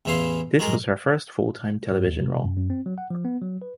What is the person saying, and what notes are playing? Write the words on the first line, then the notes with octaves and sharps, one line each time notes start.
This was her first full-time television role.
A1 E2 E3 E4 F5 C6
F#3 G#3 G#4 A#4
G2
D#2
C3
F#2
F#2
C4
F#3
F#5
F3
B3
F#3
B4